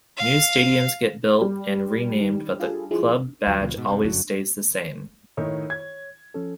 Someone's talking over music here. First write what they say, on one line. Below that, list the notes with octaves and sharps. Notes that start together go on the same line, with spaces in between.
New stadiums get built and re-named but the club badge always stays the same.
F5
G3
D#3
F4 G#4 A4
F3 G#3 E4
D#2 F#3
D2 B2 F3
G#2 B2
G2 C3
G1 F#2 D3 F#3
A2 D#3 D#4 C#5
G#6
F3 C#4 A4